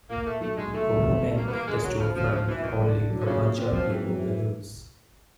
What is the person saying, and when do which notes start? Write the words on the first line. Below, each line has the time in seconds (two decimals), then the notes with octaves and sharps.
A woman at a storefront holding a bunch of yellow balloons.
0.09 A#2 A#3
0.26 A#2 A3
0.41 B1 A3
0.57 B1 G#3
0.73 B1 A3
0.89 B1
1.05 E3
1.20 G2
1.36 G3 A#3
1.48 B3
1.52 E3 A#3
1.68 D2 G#3
1.84 D2 F#3
1.99 E3 F3
2.15 D2 F3
2.31 B2 F3
2.47 C2 E3
2.63 C2 D#3
2.78 C2 D3
2.95 D4
3.10 F#3
3.20 D3
3.26 A#2 C#3
3.42 A#2 C#3
3.58 D3 C4
3.73 F#2 F3
3.89 E3 C4
4.06 F#2